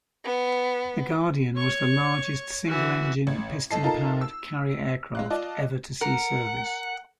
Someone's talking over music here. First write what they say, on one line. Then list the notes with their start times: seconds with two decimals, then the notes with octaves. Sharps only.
The Guardian was the largest single-engine piston-powered carrier aircraft ever to see service.
0.24 B3
1.57 C#5 C#6
2.68 E3 F#4
3.27 A1 G#6
3.71 G1 A4 D#5 A5 C7
3.83 D#4 F4 A4 A#4 A5
4.21 E6
5.15 G#3 F5 F#6
5.30 F4 D5 D#5 A5
6.01 A#4 F#5